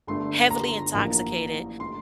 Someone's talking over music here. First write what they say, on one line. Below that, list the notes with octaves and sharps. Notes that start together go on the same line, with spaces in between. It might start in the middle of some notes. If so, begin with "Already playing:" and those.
heavily intoxicated,
G1 G2 D3 A3 C6
A#5
A1 G2 F3 A#3 D4
D3 A3 D4 C6